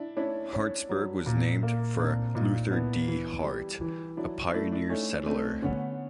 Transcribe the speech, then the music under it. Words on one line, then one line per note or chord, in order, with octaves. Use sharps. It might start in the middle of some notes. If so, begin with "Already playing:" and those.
Hartsburg was named for Luther D. Hart, a pioneer settler.
Already playing: D4 E4
C#4 D4 E4
C#4
F#3
A#2
A#3
A#2 C4 D4
A#2 D#4 F4
B3 D4 E4
E3
G3
E3
F#3 D4 E4
A3 D4 E4
D4 E4
A3 C#4 D#4
A3 C4 D4
D3 B3 C#4